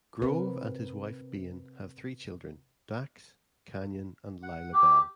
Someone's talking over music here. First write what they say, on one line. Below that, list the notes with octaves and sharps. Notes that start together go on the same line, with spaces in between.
Grove and his wife Bane have three children; Dax, Canyon, and Lilah Belle.
C3 C4 A#4 B4
F#5
G4